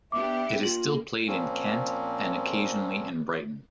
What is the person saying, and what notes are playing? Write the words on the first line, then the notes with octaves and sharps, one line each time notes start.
It is still played in Kent, and occasionally in Brighton.
B3 D4 G4 E5 D6
A#3 F4 F#7
A#2 F3 A#3 C4 C#4